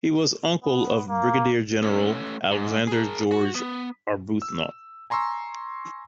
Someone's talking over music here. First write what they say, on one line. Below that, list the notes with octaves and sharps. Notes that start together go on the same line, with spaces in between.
He was uncle of Brigadier-general Alexander George Arbuthnot.
B3
A#3
A3 C#4
G#2
G#4 A#4
F#4
B3
E6
G#5 A#5 C6 C#6 E6